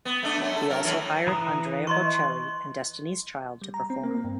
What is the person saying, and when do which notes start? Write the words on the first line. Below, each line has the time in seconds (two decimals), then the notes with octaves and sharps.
He also hired Andrea Bocelli and Destiny's Child to perform.
0.05 B3
0.23 A3 D4
0.38 F#2 F#3
0.56 A4
0.68 F#3 A#4
0.84 A2 E3 F#3
1.27 E3 A#5 D#6
1.87 D#5 C6 C#6
3.62 G3
3.74 A#5
3.90 C4
4.03 A#3
4.24 G2